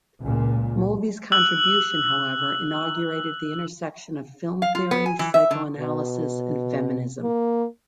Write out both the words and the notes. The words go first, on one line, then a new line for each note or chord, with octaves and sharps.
Mulvey's contribution, however, inaugurated the intersection of film theory, psychoanalysis and feminism.
C#2 A#2
E6 F#6 F#7
F5
F4
B3
G#5
E3
E5
D3
B2
A#3